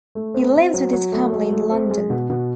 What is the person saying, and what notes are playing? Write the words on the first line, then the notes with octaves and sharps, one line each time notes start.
He lives with his family in London.
A3
C4
C4
F#3
F#3
A3
F#3
A3
C4
G#3
B2
B2